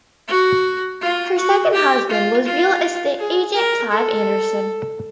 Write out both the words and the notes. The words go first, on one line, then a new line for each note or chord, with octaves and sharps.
Her second husband was real estate agent Clive Anderson.
F#4
F4
F#4
G4
F4
F4
G#4
A#4
A4